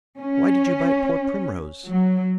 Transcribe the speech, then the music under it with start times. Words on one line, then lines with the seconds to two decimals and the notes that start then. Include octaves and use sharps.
"Why did you bite poor Primrose?"
0.20 C#4
1.90 F#3